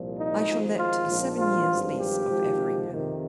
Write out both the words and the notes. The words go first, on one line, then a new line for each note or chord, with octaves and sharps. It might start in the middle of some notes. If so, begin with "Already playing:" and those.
I shall let a seven years' lease of Everingham.
Already playing: C2 A#2 F3
D#4
G#1 G#2 F3
F4
A#1 G#2 F3
F4
G#1 G2 F3
G4
G#1 G#2 F3
F2 C3 D#3